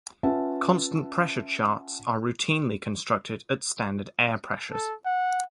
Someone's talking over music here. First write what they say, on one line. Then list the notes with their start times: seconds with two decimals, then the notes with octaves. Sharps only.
"Constant-pressure" charts are routinely constructed at standard air pressures.
0.23 C#4 F4 B4 E5 F#5 A5
4.71 A4
5.06 F#5